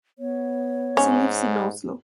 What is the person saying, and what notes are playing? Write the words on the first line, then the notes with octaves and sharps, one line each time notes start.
She lives in Oslo.
B3 C#5
G#2 C#4